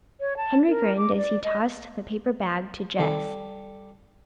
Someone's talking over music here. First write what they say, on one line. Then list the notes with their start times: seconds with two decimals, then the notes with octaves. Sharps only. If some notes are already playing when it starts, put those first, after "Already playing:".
Henry grinned as he tossed the paper bag to Jess.
0.20 C#5
0.37 A5
0.68 A#4
0.97 D6
1.18 D5
1.44 D#5
2.98 C3 D#3 G3 A4